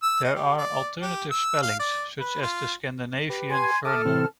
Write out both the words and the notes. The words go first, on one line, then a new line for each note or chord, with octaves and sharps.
There are alternate spellings, such as the Scandinavian "Verner".
E6
D#5
G4
D5
G4
E6
F5
D5
B4
F4
G4 B4
G#5 C6 G#6
A4 E5 A5 D6 D#6 F6
C3 E3 C4